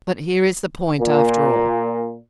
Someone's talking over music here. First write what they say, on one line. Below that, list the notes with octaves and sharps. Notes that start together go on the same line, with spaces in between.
But here is the point, after all.
A#2